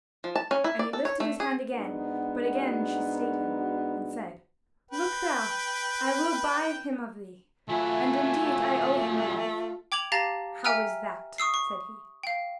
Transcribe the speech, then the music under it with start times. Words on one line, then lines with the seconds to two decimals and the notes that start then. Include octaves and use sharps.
And he lifted his hand again, but again she stayed him, and said: "Look thou, I will buy him of thee: and, indeed, I owe him a life." "How is that?" said he.
0.24 F3
0.36 A5
0.51 C#4
0.64 E4
0.79 D5
0.93 A4
1.05 C#5
1.20 A3
1.40 G#4
1.74 G#2 B3 D4 F#4
4.91 B4 G5
7.69 F#3 A3 E4 F4 G#5
9.92 G5 D6 G#6 F7 F#7
10.12 G4 F5 A5 A#5 A6 A#6
10.64 E5 G5 G#5 A#5 E6 F6
11.38 C#6 D#6 E6 C7
11.54 C#6
12.23 F5 G5